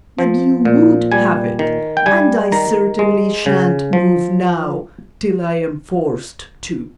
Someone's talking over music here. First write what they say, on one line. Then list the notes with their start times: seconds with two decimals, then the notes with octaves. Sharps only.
But you WOULD have it, and I certainly sha'n't move now till I am forced to.'
0.19 F3
0.65 A#2
1.12 G3 G#5
1.59 D#3
1.97 G5
2.06 G3 G#5
2.52 D#3 A#5
2.99 G#3
3.46 C#3
3.93 F3